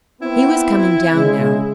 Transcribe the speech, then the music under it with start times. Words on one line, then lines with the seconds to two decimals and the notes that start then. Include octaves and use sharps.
He was coming down now.
0.22 B3 C4 E4
1.14 C#3 G#3